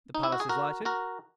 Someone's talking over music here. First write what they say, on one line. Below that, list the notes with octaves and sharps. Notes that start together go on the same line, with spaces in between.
The palace is lighted.
D#4
E4
F#4
G#4
F#4 A#4
F#4 A#4